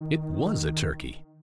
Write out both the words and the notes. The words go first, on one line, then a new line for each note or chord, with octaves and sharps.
It was a Turkey!
D#3